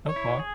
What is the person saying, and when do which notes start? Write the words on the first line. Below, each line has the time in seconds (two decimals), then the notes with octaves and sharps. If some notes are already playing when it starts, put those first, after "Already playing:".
Oh, cool.
0.08 C#5
0.16 E4
0.39 G#4